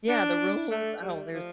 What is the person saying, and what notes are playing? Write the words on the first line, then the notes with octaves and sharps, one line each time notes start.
Yeah, the rules? Oh, there's
D4
A3
G3
F3